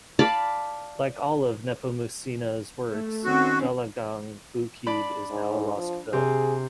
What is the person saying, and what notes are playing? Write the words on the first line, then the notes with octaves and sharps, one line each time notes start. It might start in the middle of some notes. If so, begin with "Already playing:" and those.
Like all of Nepomuceno's works, "Dalagang Bukid" is now a lost film.
D5 F5 A5 B5
A3
D#3 C4 C#4 F#4
D4 D5 B5
G#2
F3
C3 G#4